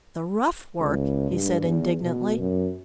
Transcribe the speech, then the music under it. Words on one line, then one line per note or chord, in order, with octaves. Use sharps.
"The rough work!" he said indignantly.
C#2
G2
E2
B2
F#2